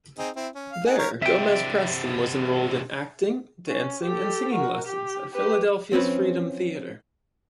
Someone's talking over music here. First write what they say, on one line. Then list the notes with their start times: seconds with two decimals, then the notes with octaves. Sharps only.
There Gomez-Preston was enrolled in acting, dancing, and singing lessons at Philadelphia's Freedom Theatre.
0.18 C4 D#4 G#4
0.36 C4 E4
0.55 C#4
0.73 F5
0.86 D#4 G#4 F#5
0.99 A#4 C#5
1.22 C3 D4 E5 G5
3.68 C#4
4.04 G4 A4
4.54 F#4 A#4
4.87 G4
5.34 G4 B4
5.92 F3 C4 C#4 B4